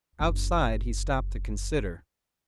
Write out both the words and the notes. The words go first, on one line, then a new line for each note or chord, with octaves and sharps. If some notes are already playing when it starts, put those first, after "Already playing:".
Outside, he stopped to consider.
F#1 D4